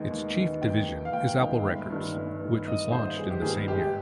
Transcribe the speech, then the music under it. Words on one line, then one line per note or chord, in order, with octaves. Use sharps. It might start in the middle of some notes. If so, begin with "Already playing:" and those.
Its chief division is Apple Records, which was launched in the same year.
Already playing: D#2 D#3 G#3 B3
D#2
D#3 G#3 B3
D#2 G5
D#3 G#3 B3
F5
D#2 G5
D#3 G#3 B3
G1
G2 D#3
G1
G2 D#3
G1 D#5
G2 D#3 C5
G1 G#4
G4
G2 D#3 G#4
G#1 G4